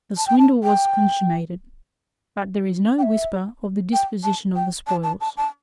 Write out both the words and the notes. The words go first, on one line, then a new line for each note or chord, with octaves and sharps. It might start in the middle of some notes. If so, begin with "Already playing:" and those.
The swindle was consummated, but there is no whisper of the disposition of the spoils.
A5
G5
A5
G5
G5
E5
G5
A5
G5
A5
A5
A5
A5